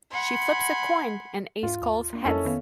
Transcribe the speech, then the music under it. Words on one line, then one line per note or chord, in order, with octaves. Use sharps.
She flips a coin, and Ace calls "heads".
F#5 G#5 B5 C6
G#2 F4
D#2 F5
A#3 D4
F2 C#4 E4 A4 A#4 D#5
D#3 B3 F5